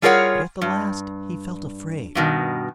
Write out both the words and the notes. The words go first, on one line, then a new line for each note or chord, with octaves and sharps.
But at the last he felt afraid.
G3 F4 G#4 A#4 C#5 F#5
G2
G2 B2 D#3